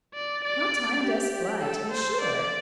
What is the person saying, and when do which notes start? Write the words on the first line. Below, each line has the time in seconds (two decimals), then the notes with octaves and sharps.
How time does fly, to be sure!
0.15 D5
0.44 D5
1.04 G4
1.62 A4
1.92 C5
2.21 D5